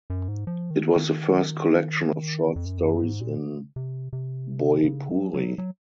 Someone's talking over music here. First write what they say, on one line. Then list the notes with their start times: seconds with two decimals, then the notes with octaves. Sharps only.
It was the first collection of short stories in Bhojpuri.
0.10 F#2
0.28 G#2
0.47 F3
0.70 D#3
0.96 D#3
2.56 F2
2.65 F#2
2.78 F2
2.84 F#2
3.03 G#2
3.20 A#2
3.76 C3
4.13 C3
4.85 C#3
5.09 F#3
5.34 F#3
5.58 F#3